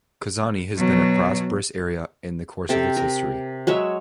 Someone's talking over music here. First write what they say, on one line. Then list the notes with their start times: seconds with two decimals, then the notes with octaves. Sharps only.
Kozani has been a prosperous area in the course of its history.
0.77 B2 F#3
2.69 C3 A4 G5
2.97 A#4
3.67 F#3 G#3 C#5 E5